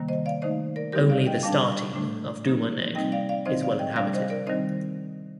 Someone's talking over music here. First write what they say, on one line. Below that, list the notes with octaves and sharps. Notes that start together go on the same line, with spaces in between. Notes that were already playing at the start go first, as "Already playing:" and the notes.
Only the starting of Dumalneg is well inhabited.
Already playing: C3 D#3 G3 A#3
C5 D#5
D5 F5
D#3 A3 D#4 C5 D#5
A#4 D5
D3 G3 C4 D#4 G4 A#4
D5 F5
D#5 G5
A#2 G3 D4 F5 A5
A2 A3 D4
F3 A#3 D#4
C3 G3 C4 D#4 D#5 G5
D5 F5
D5 F5
D3 F3 C4 D#4 C5 D#5
D5 F5
D#5 G5
C3 G3 D4 D5 F5
C5 D#5
A#4 D5
D#3 G3 C4 D#4 C5 D#5